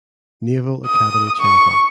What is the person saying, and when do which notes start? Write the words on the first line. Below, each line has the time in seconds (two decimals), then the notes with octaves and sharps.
Naval Academy Chapel.
0.87 D#6
1.41 C#6